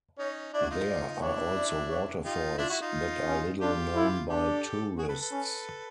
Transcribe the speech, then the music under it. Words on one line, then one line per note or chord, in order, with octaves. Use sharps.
There are also waterfalls that are little known by tourists.
C#4 D#4 C#5
D4 E4 D5
F#4
D#4 F4
D5
D4 E4 C#5
D5
C#5
D#4 F4 G4
D4 E4 F4
E4 F#4
D#4 F4
C#4
D4 F4 G4
E4
D4 G4 A4
F#4 G#4
A4 B4
A4 B4
C#4